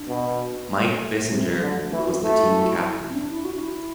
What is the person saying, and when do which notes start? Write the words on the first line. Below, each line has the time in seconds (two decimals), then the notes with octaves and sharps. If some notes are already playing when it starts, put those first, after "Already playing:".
Mike Bissinger was the team captain.
Already playing: D4
0.08 B2
0.69 A3
1.00 A3
1.30 C3 F#3
1.51 F#3
1.61 D3
1.72 A3
1.92 E3 E4
1.99 F#4
2.06 E4
2.14 F#4
2.21 A3 E4
2.28 F#4
2.35 E4
2.43 F#4
2.50 E4
2.57 F#4
2.65 E4
3.09 C4
3.14 D4
3.30 E4
3.44 F#4
3.56 D4
3.60 E4